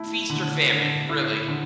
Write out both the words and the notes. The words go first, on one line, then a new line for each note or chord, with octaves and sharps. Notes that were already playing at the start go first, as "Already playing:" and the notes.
feast or famine, really.
Already playing: A3 E4
D3
D3
E4
D3